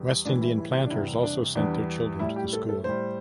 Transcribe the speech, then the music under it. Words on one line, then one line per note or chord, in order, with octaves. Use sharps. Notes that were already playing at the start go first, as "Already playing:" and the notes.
West Indian planters also sent their children to the school.
Already playing: E2 G3
A2 E3 G3 D4
E4
E4
G4
D4
E2 C3 G3 E4
D4
E2 E3 G3 D4
A2 G3 E4
G4
A4
A4
A2 G3 C5